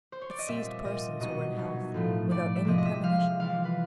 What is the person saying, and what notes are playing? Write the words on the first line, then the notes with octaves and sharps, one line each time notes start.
It seized persons who were in health, without any premonition.
C5
C#5
D5
D#5
A#2 G3 C4 E5
A#2 G3 C4 D#5
B2 F#3 B3 D#4 D#5
B2 F#3 B3 D#4
A2 F3 A3
A2 F3 A3 D5
E5
C3 F3 G#3 C4 D#5
D#5
E5
C3 F3 G#3 C4 F5
E3 G3 C4 E4 F5
B4